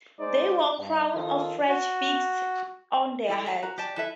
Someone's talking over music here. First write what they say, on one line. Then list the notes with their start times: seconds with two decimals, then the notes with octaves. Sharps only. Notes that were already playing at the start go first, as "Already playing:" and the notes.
They wore crowns of fresh figs on their heads.
0.19 G#3 D#4 C5 D5
0.78 G2
1.14 D#3 F3 F4 A4
1.68 F#4
3.28 E4 A4 G5
3.46 E5 G#5 A5
3.63 F#4 A#5
3.78 G4 D5 A5
3.97 E4 A4 B4 E5